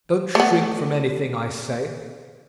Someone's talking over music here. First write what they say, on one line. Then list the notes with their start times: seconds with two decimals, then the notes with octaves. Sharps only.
Don't shrink from anything I say.
0.35 A3 B3